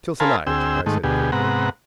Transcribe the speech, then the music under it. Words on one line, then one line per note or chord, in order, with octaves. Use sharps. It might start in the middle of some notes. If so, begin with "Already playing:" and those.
"Till to-night," I said quickly.
A#4 C5 F5 G#5 A5 B5
D2 C4 G#4 G5 E6
G#2 D#3 A3
D2 B2 G4 G#4
G#2 C3 B3 F#5 A#5